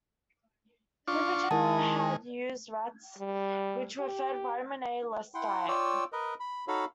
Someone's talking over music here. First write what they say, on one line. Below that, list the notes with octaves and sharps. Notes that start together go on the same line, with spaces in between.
Fibiger had used rats which were fed vitamin A-less diet.
D4 F4 C#6
D#3 G#3 E4 A#4 A5
G3
G4
E4 F#5 G5 C6
F4 C#5 D5 G5 E6
A#4 B4 D#5
B5
D#4 F#4 A4 C#5 F5 B5